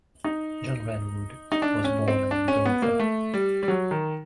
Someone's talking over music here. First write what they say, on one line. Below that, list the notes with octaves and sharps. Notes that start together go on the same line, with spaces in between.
John Redwood was born in Dover.
D#4
D#4
D4
C#4
C4
D4
C#4
B3
A#3
A3
G3
G3
F#3
D#3